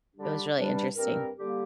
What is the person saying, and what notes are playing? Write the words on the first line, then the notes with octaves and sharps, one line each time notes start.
it was really interesting.
D3 G3 D4 G4
G2 G3 D4
G2 G3 C4 A#4
D3 G3 A#3 G4